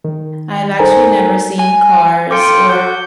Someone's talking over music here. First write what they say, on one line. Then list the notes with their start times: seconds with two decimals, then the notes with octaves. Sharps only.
I've actually never seen Cars or,
0.04 D#3
0.79 D#4 A4 A#4 C5 G#5 A#5
1.59 G#5
2.31 F4 A4 G5 D6 C#7
2.69 F#4 G6